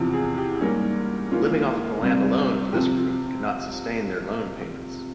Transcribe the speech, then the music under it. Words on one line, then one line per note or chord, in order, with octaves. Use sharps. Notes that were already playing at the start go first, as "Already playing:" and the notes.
Living off the land alone for this group could not sustain their loan payments.
Already playing: E2 C3 F3
G#4
G4
G#2 G3 A#3 C#4
G#2 E3 A#3 C#4 F4
C3 G3 C4
C3 F3 C4 G4